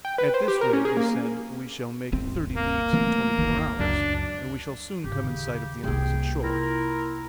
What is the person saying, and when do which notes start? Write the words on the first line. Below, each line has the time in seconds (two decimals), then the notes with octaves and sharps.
At this rate, he said, we shall make thirty leagues in twenty-four hours, and we shall soon come in sight of the opposite shore.
0.05 G5
0.18 B4
0.34 C5
0.48 G4
0.61 A#4
0.73 C#4
0.85 G#4
0.97 A#3
2.12 D#1 G#1 C4
2.55 A#3
2.93 E3 A3 C4
3.38 F#1 D2 D#3
3.79 C#2 F#2 D4
5.04 G#1 C#3 G4
5.23 D#2
5.84 C2 A#3 G#4 G5
6.42 E4 F4 A#4